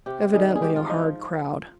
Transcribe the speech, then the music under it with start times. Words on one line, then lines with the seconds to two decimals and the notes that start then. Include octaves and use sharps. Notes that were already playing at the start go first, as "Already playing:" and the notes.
"Evidently a hard crowd."
0.06 C3 G4
0.33 D#3 G3 G#4
0.56 G#4
0.62 G#2 G4
0.76 F4
0.89 F3 D#4